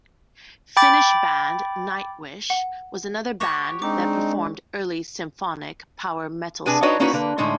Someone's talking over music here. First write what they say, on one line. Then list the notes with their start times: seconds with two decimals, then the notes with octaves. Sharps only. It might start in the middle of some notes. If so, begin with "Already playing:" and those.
Finnish band Nightwish was another band that performed early symphonic power metal songs.
0.77 G5 B5 D6 A6
2.50 F#5
3.40 F#4 G4 C#5
3.82 G#3 C4 D4 D#4 D6
6.66 C3 D4 G#4 B4 G#5
6.82 D4 D#4 F#4 B4 C#5 D#5
7.00 A#3 C#4 D#4 E4 F#4 B4
7.13 D3 A#3 B4
7.38 A2 D3 G#3 A3 D#4